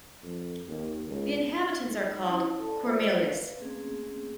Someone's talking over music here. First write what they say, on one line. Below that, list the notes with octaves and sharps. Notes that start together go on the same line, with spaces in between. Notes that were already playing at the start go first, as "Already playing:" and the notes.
The inhabitants are called "Cormeillais".
F2
D#2
C#2
D#4
C#4 D4 E4 D#5
A4 D5 A5
F4 C5 D5 E5
B4 F5
A3 A#3 C4 C#4 G#4